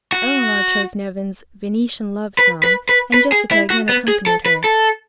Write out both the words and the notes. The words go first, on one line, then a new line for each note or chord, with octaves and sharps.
Eleanor chose Nevin's "Venetian Love Song," and Jessica again accompanied her.
F#4
B4
B4
B4
B4
G#4
E4
F#4
B3
G#4
A4
B4
A4